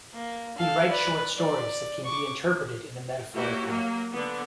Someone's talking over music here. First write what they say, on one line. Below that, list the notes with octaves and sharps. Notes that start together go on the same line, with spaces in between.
He writes short stories that can be interpreted in a metaphoric way.
A#3
A4 F5
B4 D5
D5
C#6 D6
A#3 E4 F#4 G4 C#5
F#3 A#3
D3 B3